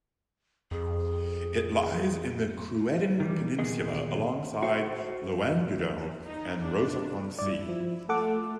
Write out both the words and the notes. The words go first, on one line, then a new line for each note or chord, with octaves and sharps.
It lies in the Creuddyn Peninsula alongside Llandudno and Rhos-on-Sea.
F2 G#4
D#3 E3 G3
A#2 D#3 B3 G#4 D#5
F#4 C5
D#4
D4
G2 E4 D5
F3
A3 F4 A4 F#5 D6